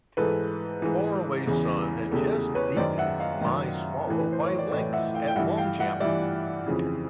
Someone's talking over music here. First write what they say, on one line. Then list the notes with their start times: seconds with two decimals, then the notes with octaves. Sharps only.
Faraway Son had just beaten My Swallow by lengths at Longchamp.
0.17 G#2 E3 A4 B4
0.82 G#2 E3
1.47 E2 C#3 E3
2.12 E2 C#3 E3 G4 A4
2.55 B4 C#5
2.77 F#2 D#3 C5 D5
2.98 E5 F#5
3.20 D#5 F5
3.41 F#2 D#3
4.07 A2 E3
4.19 B4
4.32 C5
4.45 C#5
4.59 D5
4.71 A2 E3 C#5 D#5
4.93 E5 F#5
5.14 F5 G5
5.27 G5
5.36 G2 E5 F#5
5.39 E3
5.57 F5 G5
5.79 E5 F#5
6.00 G2 E3 D5 E5
6.66 F2 C#3 E3